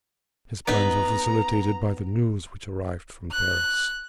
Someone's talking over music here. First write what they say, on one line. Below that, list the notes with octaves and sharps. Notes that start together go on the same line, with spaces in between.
His plans were facilitated by the news which arrived from Paris.
B3 D#4 B4 A#5
F#6